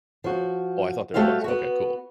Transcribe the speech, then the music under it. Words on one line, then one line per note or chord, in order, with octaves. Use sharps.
Oh, I thought there was. Okay. Cool,
F3 F#4
G3 A3 F#4 G4 C5 F5
B3 F#4